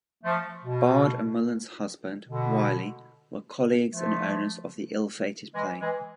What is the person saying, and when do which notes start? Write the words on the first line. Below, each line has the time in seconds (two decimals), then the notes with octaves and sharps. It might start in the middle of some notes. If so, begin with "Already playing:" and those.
Bard and Mullen's husband, Wylie, were colleagues and owners of the ill-fated plane.
0.24 F3 A3
0.64 B2
2.27 B2 D3
3.91 F3 A3
5.53 E3 G#3
5.81 E3 G#3